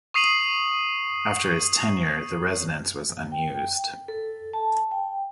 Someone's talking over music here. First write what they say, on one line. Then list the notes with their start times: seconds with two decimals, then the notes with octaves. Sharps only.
After his tenure the residence was unused.
0.14 C#6 D#6 C7 D#7 F#7
3.32 G5
4.08 A4
4.53 A5
4.91 G5